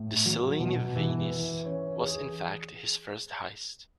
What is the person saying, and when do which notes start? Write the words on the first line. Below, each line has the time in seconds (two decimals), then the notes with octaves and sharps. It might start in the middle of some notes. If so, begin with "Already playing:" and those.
The Cellini Venus was, in fact, his first heist.
Already playing: A2
0.26 F#3
0.60 B2
0.95 E3
1.31 E3
1.65 C#4
2.00 G#4